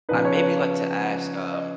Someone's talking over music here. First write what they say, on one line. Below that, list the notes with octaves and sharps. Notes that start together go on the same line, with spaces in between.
I, maybe, like to ask, um
C#3 F3 B3 D#4 B4
C#5
B4
C#5
D#5